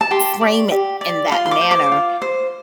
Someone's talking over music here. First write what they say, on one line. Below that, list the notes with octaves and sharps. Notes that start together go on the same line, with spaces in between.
frame it in that manner,
A5
G4 C6
D5
G4
D5
F4 C6
C6
D6
C5
D6
F4
C5